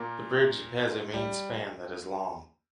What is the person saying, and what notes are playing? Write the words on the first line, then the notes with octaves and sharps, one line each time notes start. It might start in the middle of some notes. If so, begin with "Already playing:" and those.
The bridge has a main span that is long.
Already playing: A#2 A#3
G3